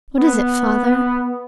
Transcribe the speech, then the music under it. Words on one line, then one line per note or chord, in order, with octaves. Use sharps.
"What is it, father?"
B3